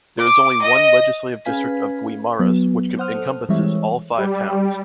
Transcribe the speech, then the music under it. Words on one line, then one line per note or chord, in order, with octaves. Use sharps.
There is only one legislative district of Guimaras which encompasses all five towns.
D6
D#5
C#4 G#4 B4 F5 G#5 B6
F#3 B3
C5 F#5 D#6 F6
A4
E3 G3 G#3 C4 C#5 E5
G3